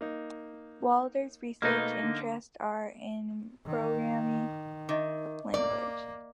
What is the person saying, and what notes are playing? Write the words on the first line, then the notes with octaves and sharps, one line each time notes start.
Wadler's research interests are in programming languages.
A#3 D#4
B2 A3 A#3 D#4 B4
D3
D#3
D#3 D#5 E5 D6
A#3 D5